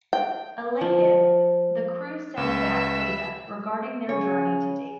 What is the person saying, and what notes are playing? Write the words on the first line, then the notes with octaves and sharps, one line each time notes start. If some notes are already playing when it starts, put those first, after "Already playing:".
Elated, the crew send back data regarding their journey to date.
G5
F3
C#2 B4 E5 E6
C#3 C#5 G#5